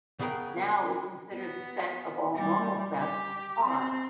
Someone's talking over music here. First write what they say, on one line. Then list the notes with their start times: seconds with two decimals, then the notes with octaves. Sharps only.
Now we consider the set of all normal sets, "R".
0.19 C#3 B3 G#4 A#4 G5
1.34 B3
2.35 G3
2.97 G4
3.64 C4